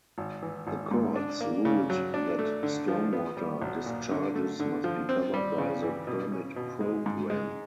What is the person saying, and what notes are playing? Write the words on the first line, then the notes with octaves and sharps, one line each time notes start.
The courts ruled that stormwater discharges must be covered by the permit program.
G#1
E3
G#1
G#2
D4
A#3
C#3
F#3
D4
A3
D3
F3
B3
G3
B1
A#2
D3
A3
D3
F3
C4
G3
C#3
E3
B2
C#4
B2
G#3
G#2
G#3